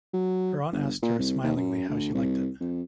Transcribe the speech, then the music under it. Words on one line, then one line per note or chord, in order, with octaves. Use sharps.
Her aunt asked her, smilingly, how she liked it.
F#3
G1
A#2
C2
D#2
F#2
D2
C2
F2